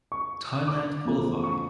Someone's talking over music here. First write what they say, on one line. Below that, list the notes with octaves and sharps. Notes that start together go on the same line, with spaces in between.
Thailand qualify.
C#6
D6
E2 C#3 F3 A3
C#6